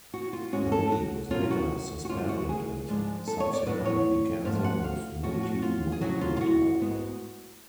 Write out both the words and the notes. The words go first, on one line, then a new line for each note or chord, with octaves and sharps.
The league was later suspended and subsequently cancelled with no team winning the title.
F#4
F4
G#2 G#3 C#4 F#4
A4
F#4
B2 F#3 C#4 F4
F#4
F#4
D2 D3 G#3 C#4 F4
F#4
G#4
G#2 F3 G#3 D4
A4
C#5
D5
A2 F#3 B3 D4 B4
C#5
G#2 F3 A3 F5
F#5
F5
A2 F3 A3 F#4
F#4
F4
G#4
F2 C#3 F#3 F#4
F4
F4
F#4
G#2 G#3 B3